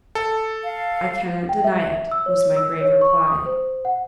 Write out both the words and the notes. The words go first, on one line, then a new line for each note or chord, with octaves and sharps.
"I cannot deny it," was my grave reply.
A4
F5
G5
E5
E6
C#5
E6
C#5
C#6
D#6
C5
F#5